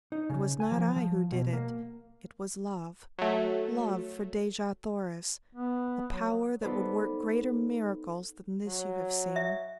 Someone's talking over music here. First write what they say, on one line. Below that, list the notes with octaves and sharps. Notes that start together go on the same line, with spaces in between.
"It was not I who did it, it was love, love for Dejah Thoris, a power that would work greater miracles than this you have seen."
D#4
C#3
G#5
F3
F3
B2
A#3
F#3 A3
B3
F#3
B3 D#4 A4 B4 C5 D5
F#3
E5